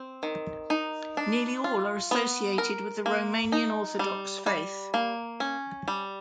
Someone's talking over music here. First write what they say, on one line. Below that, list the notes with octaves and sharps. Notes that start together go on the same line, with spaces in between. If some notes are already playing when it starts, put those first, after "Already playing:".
Nearly all are associated with the Romanian Orthodox faith.
Already playing: C4
D#3
D#4
D4
F4
B3
A#4
A#3
D#4
G3
G3
A#3
C#4
G3